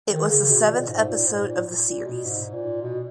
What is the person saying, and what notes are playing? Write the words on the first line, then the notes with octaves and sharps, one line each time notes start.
It was the seventh episode of the series.
D#3
C#3
B2
A#2
G#2
A#2
G#2
A#2
A#2
B2
G#2
A#2
B2